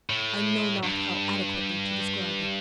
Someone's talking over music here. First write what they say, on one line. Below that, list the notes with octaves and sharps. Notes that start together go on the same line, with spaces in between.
I know not how adequately to describe it.
A2
G2